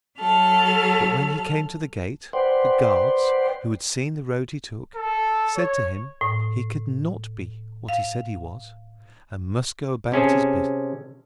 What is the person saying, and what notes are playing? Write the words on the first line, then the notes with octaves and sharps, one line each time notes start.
But when he came to the gate, the guards, who had seen the road he took, said to him, he could not be what he said he was, and must go about his business.
F#3 A4 F6
B4 C5 D5 F#5 G5 C6
A4
C#5
A2
F5
C3 C#4 G#4 A4